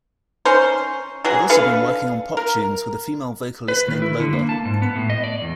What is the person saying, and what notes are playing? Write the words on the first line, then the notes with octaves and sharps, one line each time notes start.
I've also been working on pop tunes with a female vocalist named Lola.
C#4 D#4 C5
E3 F#3 G#4
D4 A4 B4 F5
A#4
B4
D#3
E4
D3
A#3
A5
G#2
B3
A2
D#5
D5
E2